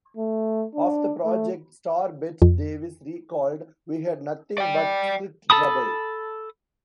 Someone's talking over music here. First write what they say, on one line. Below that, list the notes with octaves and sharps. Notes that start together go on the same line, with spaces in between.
Of the project, star Bette Davis recalled, We had nothing but script trouble.
A3
D4
A3
F2
D5 G5
A4 A5 B5 D#6